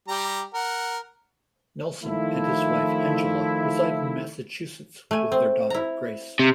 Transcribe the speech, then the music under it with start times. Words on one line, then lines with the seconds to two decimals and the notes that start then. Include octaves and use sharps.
Nelson and his wife Angela reside in Massachusetts with their daughter, Grace.
0.08 G3 G4 A#5
0.54 A#4 F#5
2.03 D#3 F3 A3 E4
5.11 A3 G#5
5.32 C4
5.70 E4 A#5
6.39 C3